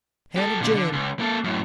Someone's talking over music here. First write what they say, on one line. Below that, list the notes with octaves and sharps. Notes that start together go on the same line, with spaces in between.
Hannah Jane!
G4 A4
A#2 D3
D3
C#2
A#3 A4
F#2 A2